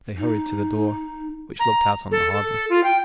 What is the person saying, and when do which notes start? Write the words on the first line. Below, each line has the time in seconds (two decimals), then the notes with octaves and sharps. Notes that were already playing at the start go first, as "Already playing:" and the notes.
They hurried to the door, which looked out on the harbour.
0.17 D#4
1.60 A#5
2.11 A4
2.32 A4
2.70 F4
2.84 G5